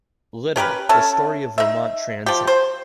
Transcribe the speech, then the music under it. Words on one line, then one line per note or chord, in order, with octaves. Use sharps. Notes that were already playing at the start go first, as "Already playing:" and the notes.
Little, The Story of Vermont Transit.
C#4 G4 A#4 B4
C#4 A4 E5 A5
D#4 E5
F3 G4
C5